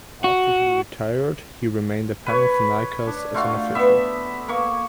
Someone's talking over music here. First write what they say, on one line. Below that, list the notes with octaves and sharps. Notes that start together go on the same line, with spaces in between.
After he retired, he remained in Panathinaikos as an official.
F#4
B4 C#5
D4
A3 F4 F#4 F5
B3 E5
A#3 C#6